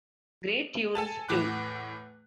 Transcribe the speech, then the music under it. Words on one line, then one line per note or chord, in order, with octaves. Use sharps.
Great tunes too.
A4 G#5 A5
E2 A2 D6 F#6